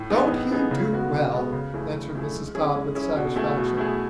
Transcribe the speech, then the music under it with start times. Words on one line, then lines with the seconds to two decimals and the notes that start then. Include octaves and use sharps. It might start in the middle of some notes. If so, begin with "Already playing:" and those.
"Don't he do well?" answered Mrs. Todd with satisfaction.
Already playing: A2
0.10 E3 B3 D#4 G#4
0.31 A2
0.51 E3 B3 D#4 G#4
0.71 C#3
0.92 G#3 B3 F#4
1.12 C#3
1.33 G#3 B3 F#4
1.52 C#3
1.74 E3 A3 E4 G#4
1.94 C#3
2.14 E3 A3 E4 G#4
2.35 G#3
2.55 C#4 E4 G#4
2.75 G#3
2.95 C#4 E4 G#4
3.16 B2
3.36 A3 E4 G#4
3.57 B2
3.77 A3 E4 G#4